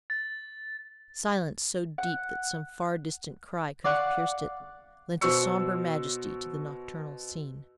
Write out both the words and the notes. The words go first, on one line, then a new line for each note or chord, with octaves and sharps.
Silence so deep that some far-distant cry could have pierced it, lent a sombre majesty to the nocturnal scene.
A6
F#5
D5 F5 F#5 C#6
B2 F#4 C5 C#6 E6 C#7